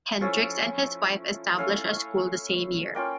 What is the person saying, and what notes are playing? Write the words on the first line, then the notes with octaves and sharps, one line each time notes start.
Hendrix and his wife established a school the same year.
F3 A3 C#4 E4
A3 C#4 E4 F5
A#3 C#4 F4 G5